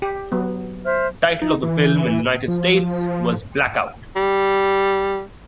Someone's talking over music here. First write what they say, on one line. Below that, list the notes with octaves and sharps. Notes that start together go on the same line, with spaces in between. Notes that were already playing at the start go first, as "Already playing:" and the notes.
The title of the film in the United States was Blackout.
G4
F#3 B3
C5 E5 F6
D#4
E3
F3
G3